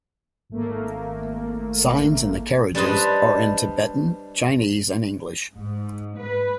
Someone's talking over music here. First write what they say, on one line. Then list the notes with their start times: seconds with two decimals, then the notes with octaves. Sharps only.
Signs in the carriages are in Tibetan, Chinese, and English.
0.50 G#1 A3 A#3
2.75 G3 D4 B4 C5 D#5
5.55 G#2
6.19 B4